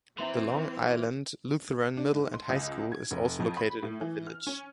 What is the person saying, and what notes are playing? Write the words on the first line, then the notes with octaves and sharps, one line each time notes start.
The Long Island Lutheran Middle and High School is also located in the village.
E3 C4 E4 E5 C6
D4
G#2
C6
C#2
G#6
F1
F2
B5
A2
E3
F6
C#4